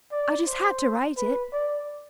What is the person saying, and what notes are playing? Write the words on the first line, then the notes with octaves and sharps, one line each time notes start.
I just had to write it.
D5
C5
B4
D5